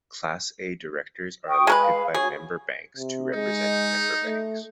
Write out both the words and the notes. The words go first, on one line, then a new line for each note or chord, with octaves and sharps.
Class A directors are elected by member banks to represent member banks.
G5 C#6 D#6
G#3 A#4 B4
F5 B5
F#4 G#4 C#5 C#6
C3
G#3 D#4
A3